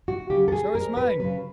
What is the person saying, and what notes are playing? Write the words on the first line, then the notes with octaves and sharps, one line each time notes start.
"So has mine."
F#4
C#3 F#3 G4
A4
G#4
F2 A#4
B4
C#3 F#3 B4